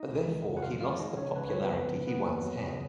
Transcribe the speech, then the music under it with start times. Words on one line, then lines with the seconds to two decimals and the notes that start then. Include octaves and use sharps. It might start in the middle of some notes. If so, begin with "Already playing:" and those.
Therefore he lost the popularity he once had.
Already playing: D#4 D#5
0.09 C#2
0.26 G#3
0.44 C#3
0.57 F#5
0.62 F2 F4 F5
0.81 F2 F4 F5
0.99 G#3 D#4 D#5
1.17 C#3 C#4 C#5
1.35 C#2 B4
1.49 C#2 C#5
1.63 B3 B4
1.71 F3
1.89 C#3
2.07 A#3 B3 B4
2.25 F#2
2.43 F#3
2.61 C#3
2.69 D#5